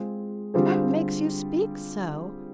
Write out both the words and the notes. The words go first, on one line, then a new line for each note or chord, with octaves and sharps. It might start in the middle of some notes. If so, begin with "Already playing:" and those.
What makes you speak so?
Already playing: G#3 C4 F4 G#4
D3 G3 C4 F4 G#4